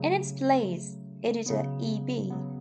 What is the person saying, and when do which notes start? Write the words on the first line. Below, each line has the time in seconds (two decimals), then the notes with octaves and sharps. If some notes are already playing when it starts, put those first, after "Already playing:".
In its place, editor E. B.
Already playing: C#3 F#3 A3
0.62 C#3 F#3 A3
1.46 C#3 F#3 B3
2.30 C#3 F#3 B3